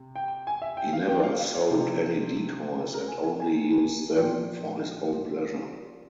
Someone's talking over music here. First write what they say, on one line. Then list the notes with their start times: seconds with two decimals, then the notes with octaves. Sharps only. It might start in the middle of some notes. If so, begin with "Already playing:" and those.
He never sold any decoys and only used them "for his own pleasure".
Already playing: C3
0.16 G5
0.47 G#5
0.62 E5
0.77 G5
0.93 F5
1.08 G5
1.23 F5
1.40 F5
1.55 C#5
1.70 C3 F3
2.94 A#4
3.08 G#5
3.24 G#5
3.40 G#5
4.17 A#2 F3 G5